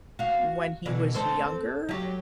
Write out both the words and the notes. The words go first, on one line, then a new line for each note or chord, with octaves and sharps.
when he was younger,
F#4 F5
B2 D3 E3
C4 A4 C5
F#3 G4